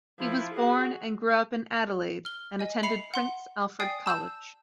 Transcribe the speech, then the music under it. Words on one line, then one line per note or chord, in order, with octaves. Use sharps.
He was born and grew up in Adelaide, and attended Prince Alfred College.
F3 E4
F#4 G#4
F6 G7
D#5 G#5
E5 B5 C7 C#7 F7
F#5 C6
D5 G5 G#5 D#6 C7
A5 E6 G6 E7